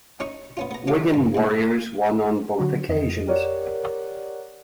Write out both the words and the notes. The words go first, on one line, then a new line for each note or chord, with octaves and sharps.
Wigan Warriors won on both occasions.
C#4 D#4 C#6
B3 C#4 F4
B3 A#5
C#4 G4 F5
G2
D#2 A2
D3 F#3 F#4
F2 D#5
G4 A#4 C#5 D5 F#5